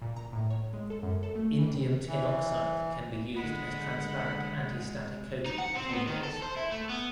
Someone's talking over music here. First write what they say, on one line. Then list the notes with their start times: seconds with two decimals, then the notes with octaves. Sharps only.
Indium tin oxide can be used as transparent antistatic coating of windows.
0.02 A#2
0.16 A#5
0.32 A2
0.50 C#5
0.73 G#3
0.90 A4
1.03 F#2
1.23 A4
1.35 A3
1.58 E3
1.74 C3
2.07 E3
3.36 D3 G#3 F#5 B5
5.46 D#4
5.58 F#5
5.75 C4
5.93 B3
6.07 D#3
6.24 A4
6.43 C5
6.57 E4
6.72 A3
6.89 B3